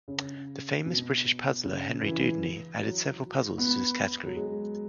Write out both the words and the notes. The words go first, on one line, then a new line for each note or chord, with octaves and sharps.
The famous British puzzler Henry Dudeney added several puzzles to this category.
C#3
B2
C#3
E3
F#3
B3
F#3
G#3